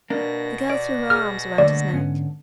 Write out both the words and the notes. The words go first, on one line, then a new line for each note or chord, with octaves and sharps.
The girl threw her arms round his neck.
B2 A#3 D4 A#6
D5
G#4 F6
D3 A3 A#3 D5
G#2 B3 C#4